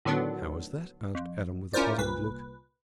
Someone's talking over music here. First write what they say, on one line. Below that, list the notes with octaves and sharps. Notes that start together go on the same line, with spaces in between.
"How is that?" asked Adam with a puzzled look.
A2 D3 D#3 F#3 B3 D4
F2
C#4 E4 F4 A#4 C5 D5
C2 A#2 B4